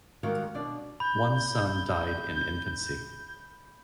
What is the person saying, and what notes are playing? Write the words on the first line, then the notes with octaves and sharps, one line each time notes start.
One son died in infancy.
D#3 G3 G#3 F#4 A#4 F5
B2 D4 D5
B5 G6